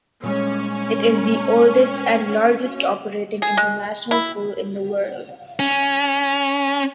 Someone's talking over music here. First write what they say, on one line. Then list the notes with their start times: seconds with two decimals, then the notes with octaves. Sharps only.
It is the oldest and largest operating international school in the world.
0.23 A#2 G3 G#3 C#4
3.42 G#4
3.57 G#3
4.11 E4
5.59 C#4